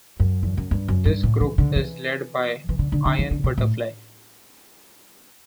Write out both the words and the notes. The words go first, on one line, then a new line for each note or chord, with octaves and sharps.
This group is led by Iron Butterfly.
F#2
E2
F#2
G2
F#2
G2
A2
E3
D3
E3
E3
D3
D3
D3
E3
D3
B2
A2